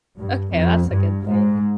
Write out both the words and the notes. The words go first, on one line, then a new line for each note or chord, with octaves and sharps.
Okay, that's a good thing.
G2
F2
G2
G#2